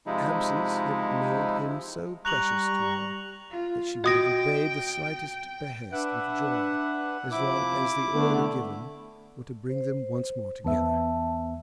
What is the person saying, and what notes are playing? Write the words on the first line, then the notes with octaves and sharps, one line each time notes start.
Absence had made him so precious to her, that she would have obeyed the slightest behest with joy as long as the order given were to bring them once more together.
C3 F3 G#3 D#4 E4
G3 A#5 C#6 F#6 F7 F#7
F4
F#4 D#5 G5 D#6 A#6
D4 B4 E5 F#5
C3 F3 E4 D6
D3 A3 B3
C5
E2 B3 E5 A5